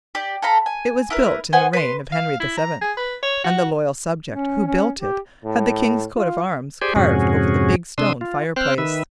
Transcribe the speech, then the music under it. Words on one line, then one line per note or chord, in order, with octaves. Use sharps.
It was built in the reign of Henry VII, and the loyal subject who built it had the king's coat of arms carved over the big stone fireplace.
G4 D5
A4 F5 A#5 B5
G#5
E4 A#4 B4
B3 C5 F#5 G#5
B4 C6
F5
E4
A#5
G#4
B4
C#5
F#4
C#4
C#4
G4
A2
F4
G4 G#4 C5 D5 G5 G#5
F2 G#2 C3 C#4 F#4 G#4
C3 D4 C6 D#6 E6
F4
C4 C5 G5 F6 F#6
D#3 B4 E5